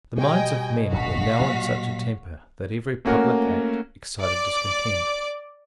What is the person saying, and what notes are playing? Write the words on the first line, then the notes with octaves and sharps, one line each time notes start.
The minds of men were now in such a temper that every public act excited discontent.
B2 G3 D#5 G5 G#5
D1 G1 D2 F#4 F5 B6
A#2 F#3 G3
A3 A#3 C#4 F#4 A#4
D5 D6